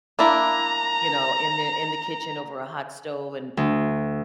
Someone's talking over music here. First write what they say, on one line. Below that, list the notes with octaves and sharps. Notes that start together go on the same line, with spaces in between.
you know, in the in the kitchen over a hot stove and
A#3 D4 E4 A#5
D2